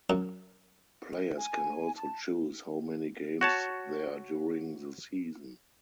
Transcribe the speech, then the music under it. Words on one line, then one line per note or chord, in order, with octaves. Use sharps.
Players can also choose how many games there are during the season.
F#2
G#5
A5
F#4 C#5 A5